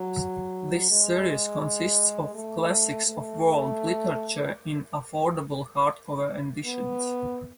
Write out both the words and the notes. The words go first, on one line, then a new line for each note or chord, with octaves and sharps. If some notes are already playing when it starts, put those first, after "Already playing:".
This series consists of classics of world literature in affordable hardcover editions.
Already playing: F#3
G#3
A3
A3
B3